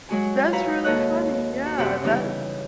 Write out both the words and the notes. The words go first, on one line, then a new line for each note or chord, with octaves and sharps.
That's really funny, yeah, that
F#3 G#3 F#4 G#5
E4 F#4 B4 F5 A#5
D#2 A4 C#5 D#5 F#6
F#4
F#2 C3 G4 E5 F#5
C#3 E3 G3 B3 D#4